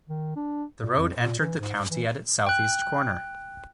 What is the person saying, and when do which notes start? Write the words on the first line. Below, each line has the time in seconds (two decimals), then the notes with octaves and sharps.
The road entered the county at its southeast corner.
0.09 D#3
0.36 D4
0.81 A#2
0.97 F2
1.17 A#2
1.39 E3
1.58 G#2
1.90 E3
2.47 G5 F#6